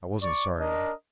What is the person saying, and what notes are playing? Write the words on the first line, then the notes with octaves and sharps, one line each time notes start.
I wasn't sorry.
D5 C#6
D4 A#4 D#5